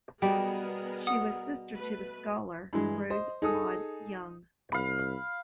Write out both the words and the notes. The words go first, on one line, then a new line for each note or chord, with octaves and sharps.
She was sister to the scholar Rose Maud Young.
B2 G3 B3 G#4 A#4 G5
F#5 D#6
A3 B4
G2 E3 G#3
C5 D#5
D#4 G#4 A4 D#6
C2 F5 B5